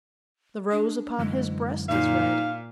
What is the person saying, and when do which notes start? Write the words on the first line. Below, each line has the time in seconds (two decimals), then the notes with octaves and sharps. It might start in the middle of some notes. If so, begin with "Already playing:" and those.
The rose upon his breast is red.
0.71 D4
1.18 F#2 D3 E3 G#3
1.89 A#2 D#4 F5